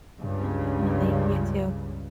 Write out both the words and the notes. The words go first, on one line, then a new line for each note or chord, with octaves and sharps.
Yeah, definitely, you too.
C#2 G2 C#3